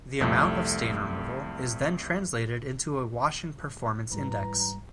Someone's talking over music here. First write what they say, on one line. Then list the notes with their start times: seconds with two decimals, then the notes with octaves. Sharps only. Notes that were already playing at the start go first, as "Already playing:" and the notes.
The amount of stain removal is then translated into a washing performance index.
0.21 C2 F2 A3
4.12 G#2 E3 G3 B4 A#5